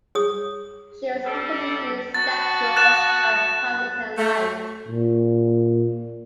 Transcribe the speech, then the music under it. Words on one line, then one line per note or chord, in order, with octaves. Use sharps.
She was actively bisexual at times in her life.
G#4 C#5 D#6
G3 A4
B3 F#4 A5 A6
F#6 A6 E7
A3
A#2